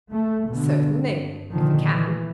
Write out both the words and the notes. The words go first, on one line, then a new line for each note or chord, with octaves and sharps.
"Certainly--if we can."
A3
B2 D3
G2
A#2 D3 D#3 F3
E3